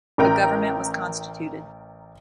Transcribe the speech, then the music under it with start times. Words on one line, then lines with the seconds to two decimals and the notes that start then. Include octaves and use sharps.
A government was constituted.
0.18 A1 A#4 G5 A#5